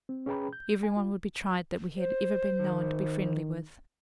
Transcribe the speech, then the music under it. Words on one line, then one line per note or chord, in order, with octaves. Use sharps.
Every one would be tried that we had ever been known to be friendly with.
C4
C#4 G#4 B4 G5 A#5 B5
G6
G#5
F4
C5
D#3